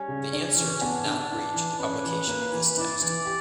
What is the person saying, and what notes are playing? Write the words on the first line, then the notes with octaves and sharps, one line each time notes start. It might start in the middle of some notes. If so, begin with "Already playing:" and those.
The answer did not reach the publication of this text.
Already playing: G3 C#4
C#3
D4
E3
B3 D4
D3
E4
E3
C#4 B4
E3
A#3
E3
E4 D5
E3
G4